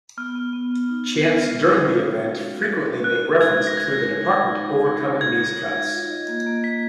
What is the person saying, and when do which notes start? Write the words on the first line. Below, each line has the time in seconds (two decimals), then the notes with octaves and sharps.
Chants during the event frequently make reference to the department overcoming these cuts.
0.17 B3 F6
0.35 B3
0.53 B3
0.71 B3
0.89 D#4
1.07 B3
1.25 D#4
1.43 G#3
1.61 C#4
1.79 C#4
1.98 F5
2.15 C#4
2.33 F#4
2.51 F#4
2.69 F#4
2.87 C#4
3.04 F#4 F#6
3.23 D#4
3.41 G#3 G#6
3.59 D#4
3.67 A#6
3.77 D#4 G#6
3.95 G#3
4.13 G#3
4.30 F#4
4.49 D#4
4.66 C#5
4.85 D#4
5.03 D#4
5.20 D#4 G#6
5.39 D#4
5.57 D#4
5.74 D#4
5.92 F4
6.10 D#5
6.28 A#3
6.46 A#3
6.64 D#5 B6